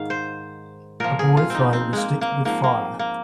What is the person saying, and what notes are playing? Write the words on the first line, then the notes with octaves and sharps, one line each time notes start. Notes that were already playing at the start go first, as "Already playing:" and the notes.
A boy throwing the stick with fire.
Already playing: G#2 D#3 F5
C5
A#2 F3 A#4
G#4
F4
C4 D#4
C4
G#3 A#3
A#3
G#2 F3 A#3
A#3
A#3